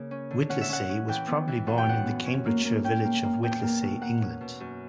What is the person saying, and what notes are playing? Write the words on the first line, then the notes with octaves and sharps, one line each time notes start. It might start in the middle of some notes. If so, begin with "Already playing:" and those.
Whittlesey was probably born in the Cambridgeshire village of Whittlesey, England.
Already playing: C#3 A#3
C#4
D3
C#4 F#5
E5
C#4 F#5
C#4
E3 G5
B3
E3
F#2 F#5
G5
B3 F#5
B3
C#4
A#3
A#3
C#4 G5
A#3
A#3
E2 G5
A#3
B2
A#3 F#5
C#4
B2
F#2